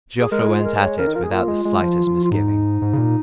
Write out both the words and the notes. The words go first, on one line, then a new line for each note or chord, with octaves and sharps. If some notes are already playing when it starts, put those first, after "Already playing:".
Joffre went at it without the slightest misgiving.
G#4
G#3 A#4
F4
A#4
A#4
C#5
C#3 A#4
D#3
F3 A#4
G#3 G#4
A#3 F4
G#3
G#3
F3
F3
F4
G#2 D#4
G#2
C#3
A#2